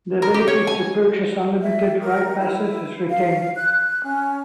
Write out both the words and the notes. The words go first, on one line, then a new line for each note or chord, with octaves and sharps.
The ability to purchase unlimited ride passes is retained.
A#4
G4
C#5
G#5
E5
A#4
E4
F5
F#6
C#4